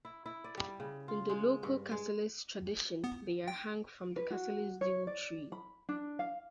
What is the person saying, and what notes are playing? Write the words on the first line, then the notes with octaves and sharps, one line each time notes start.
In the local Cassilis tradition, they are hung from the Cassilis Dule Tree.
E4
E4
D5
G3
C#3
F4
G#3
G2
G#3
B3
G5
B4
F#4
C#5
D5
B5
D4
F5